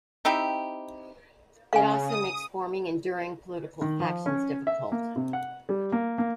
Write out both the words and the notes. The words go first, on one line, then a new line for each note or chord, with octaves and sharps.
It also makes forming enduring political factions difficult.
C4 D#4 E4 G4
C#3 F5 G#5
D#6
D#3
F3
C#4
E5
A#3
C3
F#5
G3
A#3
A#3